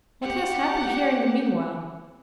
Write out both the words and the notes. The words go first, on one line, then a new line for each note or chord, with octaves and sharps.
"What has happened here in the meanwhile?"
G4 F#5